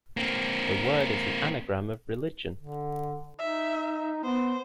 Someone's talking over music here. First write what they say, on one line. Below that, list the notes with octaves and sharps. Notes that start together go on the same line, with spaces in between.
The word is an anagram of "religion".
A#3 C4
D3
D#4 E5
B3 C5